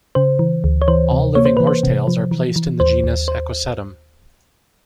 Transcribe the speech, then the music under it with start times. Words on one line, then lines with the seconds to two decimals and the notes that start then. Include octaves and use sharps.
All living horsetails are placed in the genus "Equisetum".
0.15 C#3 C5
0.39 E3
0.64 D2
0.82 C#5
0.88 E3 C5
1.12 C3
1.35 A#3 C#5
1.46 C5
1.57 E3 B4
1.67 C5
1.83 C3
2.07 F3
2.31 E3
2.56 E3
2.80 D#2 C5
3.04 D#2
3.28 C5